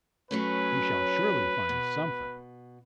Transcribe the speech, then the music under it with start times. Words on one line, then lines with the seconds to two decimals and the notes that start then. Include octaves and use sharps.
We shall surely find something.
0.31 F#3 A3 C#4 B4
1.69 B2